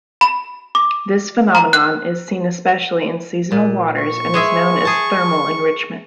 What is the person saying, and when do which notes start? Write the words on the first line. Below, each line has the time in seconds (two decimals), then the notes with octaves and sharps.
This phenomenon is seen especially in seasonal waters and is known as thermal enrichment.
0.21 B5
0.75 D6
1.55 A#5
1.73 F#6
3.52 A#2
3.99 C#6
4.34 G#3 G#4 E5
4.85 G#4 A5